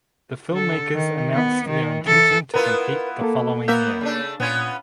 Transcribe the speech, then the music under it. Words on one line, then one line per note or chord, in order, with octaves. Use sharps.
The filmmakers announced their intention to compete the following year.
D3 A4
D#3
B3
D#3
E3 A4
B3 E4 F4 A#4 B4
A#3 A4
A#3 B3 A#4 E5 G6
C#3 A3 D4
A#2 B3 C#4 F4 G#6